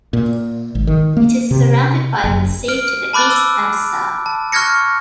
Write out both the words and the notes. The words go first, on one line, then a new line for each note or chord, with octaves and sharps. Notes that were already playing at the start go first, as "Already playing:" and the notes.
It is surrounded by the sea to the east and south.
A#2
G#1
D#3
A#3
C3
F#1
F6 D7
A5 B5 D6 F#6 A6
E6
A5
C#6 F6 F#6 G#6 A#6 C#7